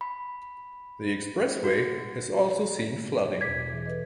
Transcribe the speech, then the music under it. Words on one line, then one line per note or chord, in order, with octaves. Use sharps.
The expressway has also seen flooding.
B5
F#4
E2 B2 D6 G#6 B6
E3 G#4
A4 B4 D#5